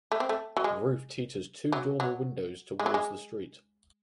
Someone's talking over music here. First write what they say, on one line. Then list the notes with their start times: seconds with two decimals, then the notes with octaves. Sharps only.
The roof teatures two dormer windows towards the street.
0.12 A3
0.20 C4
0.29 A3
0.57 F#3
0.64 G#3
1.72 F#3
2.00 F#3
2.79 G#3
2.86 F#3
2.94 G#3